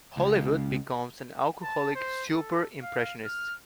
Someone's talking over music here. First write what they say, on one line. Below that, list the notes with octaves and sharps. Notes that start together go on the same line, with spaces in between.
Hollywood becomes an alcoholic 'super-impressionist'.
C#2
A5
C5
A4
F5
F6